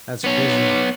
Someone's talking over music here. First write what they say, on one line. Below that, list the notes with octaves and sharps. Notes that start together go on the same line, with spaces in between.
That's crazy.
B3 C#5